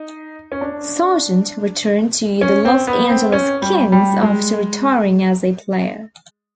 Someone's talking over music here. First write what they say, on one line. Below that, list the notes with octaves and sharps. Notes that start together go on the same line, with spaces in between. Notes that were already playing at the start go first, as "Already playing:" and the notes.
Sargent returned to the Los Angeles Kings after retiring as a player.
Already playing: D#4
C#4
D4
C#4
C4
B3
C4
C#4
G3
G3
G#3